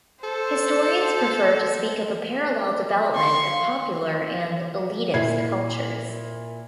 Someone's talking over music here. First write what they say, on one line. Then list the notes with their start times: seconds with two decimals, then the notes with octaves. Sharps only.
Historians prefer to speak of a parallel development of popular and "elitist" cultures.
0.23 A4 C5
3.14 F5 C6 C#6
5.14 A#2 E4 G#6 C7